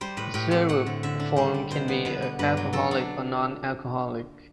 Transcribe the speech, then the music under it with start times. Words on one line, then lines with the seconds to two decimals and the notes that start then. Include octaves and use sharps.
The syrup form can be alcoholic or nonalcoholic.
0.01 G3 C5
0.17 A2 B4
0.34 A2 G4
0.51 C4 F#5
0.69 A3 F#5
0.86 D3
1.03 D3 E5
1.20 D4
1.36 G3 C5
1.54 D4
1.71 B2 C5
1.88 B3
2.05 D3 B4
2.22 B3
2.39 G2 B4
2.57 F#3
2.73 F#3 A4
2.91 D4